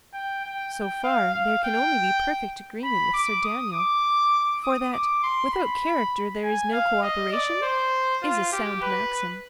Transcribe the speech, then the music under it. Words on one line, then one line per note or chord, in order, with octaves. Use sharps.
So far there can only be perfect agreement with Sir Daniel, for that 'without character there is no co-operation' is a sound maxim.
G5
G5
G5
F5
F5
G5
B5
D6
D#6
D6
D#6
D6
C6
B5
G#5
F5
D#5
D5
C5
F4
G4
B4